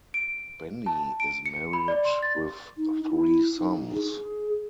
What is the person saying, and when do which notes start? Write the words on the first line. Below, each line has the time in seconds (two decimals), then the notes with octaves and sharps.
Bennie is married with three sons.
0.14 D7
0.86 A5
1.20 D7
1.46 C#7
1.73 B5
1.88 D5
2.05 C6
2.23 A6
2.77 D#4
3.09 E4
3.58 D#4
3.95 G#4